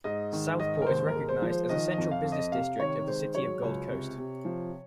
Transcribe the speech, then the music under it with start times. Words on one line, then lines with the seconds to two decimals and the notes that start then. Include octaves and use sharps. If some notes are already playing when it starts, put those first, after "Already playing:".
Southport is recognised as the central business district of the City of Gold Coast.
0.04 G#2 D#5
0.33 D#3
0.59 G#2 D#5
0.82 A#4
0.87 D#2 C5
1.08 A#4
1.15 G#3
1.29 C5
1.42 F3
1.49 C5
1.69 D#3 D#5
1.91 D#5
1.98 F2
2.11 F5
2.24 F2
2.32 D#5
2.52 C3 F5
2.80 D#3 C#5
3.07 G#3 C5
3.35 F#3 C#5
3.62 C#2
3.90 C3
4.18 C3
4.45 F3